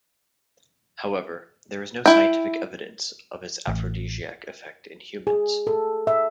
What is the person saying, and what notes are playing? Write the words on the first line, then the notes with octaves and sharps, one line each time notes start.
However, there is no scientific evidence of its aphrodisiac effects in humans.
E4 G5
A1
G#4
A4
E5